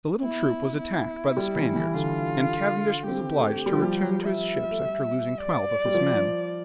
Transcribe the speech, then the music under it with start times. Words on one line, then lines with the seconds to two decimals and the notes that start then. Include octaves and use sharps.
The little troop was attacked by the Spaniards, and Cavendish was obliged to return to his ships after losing twelve of his men.
0.23 B3 E4
0.79 E4
1.37 G3
1.56 E3
1.75 E3
1.94 D3 F4
3.08 C4 G4
3.37 A3
3.66 G3
3.74 F3
3.82 G3
4.23 E5
4.71 A3
4.80 G3
5.37 D5
5.85 G3
5.94 F3